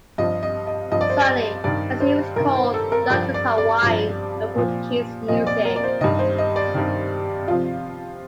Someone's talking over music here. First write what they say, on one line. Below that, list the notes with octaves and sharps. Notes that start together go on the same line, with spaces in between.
Sonny, as he was called, loved his Hawaiian and Portuguese music.
G2 F3 D#5
D#5
D#5
G2 F3 D#5
D5
C5
D5
G2 D#3 D5
C5
G2 D#3 A#4
C5
A4
A#4
G2 F3 D5
D5
D5
G2 F3
A#2 F3
A#2 F3 D#5
D5
A#4
D5
C5
G2 D#3 D#5
C5
D#5
D5
G2 D#3
C3 F3 F4